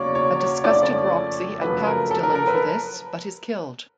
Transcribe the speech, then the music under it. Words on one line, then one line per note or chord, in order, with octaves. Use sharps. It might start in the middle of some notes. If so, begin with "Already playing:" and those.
A disgusted Roxy attacks Dillon for this but is killed.
Already playing: E2 C#3 F#3 A#3 C#5 D5
C#5
C#5
F2 C#3 F3 A3 D5
D5
C#5
F#2 C#3 F3 A3 B4
A#4
A4
A#4
A#4
B4